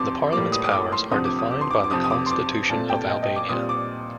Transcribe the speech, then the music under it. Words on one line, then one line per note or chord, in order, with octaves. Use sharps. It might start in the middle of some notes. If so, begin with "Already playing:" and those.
The Parliament's powers are defined by the Constitution of Albania.
Already playing: F2 C3 F3 C4 C6 D6
A2 G3 A#3 D6
D#6
D#6
D6
C6
D2 C3 F3 C4 D#6
D6
D#6
D6
C6
D6
D6
F2 C3 F3 C4 D#6
D#6
D6
C6
D6
A#2 A3 C4 A5
G5
D#5
D#5
D6
A#2 G3 C4 D#6
D6